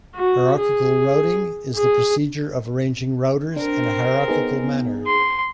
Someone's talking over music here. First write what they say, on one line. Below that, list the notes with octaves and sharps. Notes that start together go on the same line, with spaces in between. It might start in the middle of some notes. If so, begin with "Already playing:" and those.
Hierarchical routing is the procedure of arranging routers in a hierarchical manner.
F#4
G#4
G#4
C4 D4 A#4
B3 D#4 G#4
C6